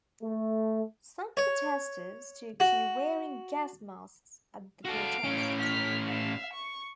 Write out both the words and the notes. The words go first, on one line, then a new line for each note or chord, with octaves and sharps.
Some protesters took to wearing gas masks at the protests.
A3
C#5
F#4
F#4 A4 F5 D7
A2 C#4
F6 B6
E5 F5
C#6